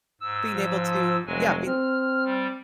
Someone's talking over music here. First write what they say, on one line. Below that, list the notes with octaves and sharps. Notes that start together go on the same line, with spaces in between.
being able to, yeah, being
G#2 E6
F3
F1 F#3 G#3 G#5
C4 F6
G3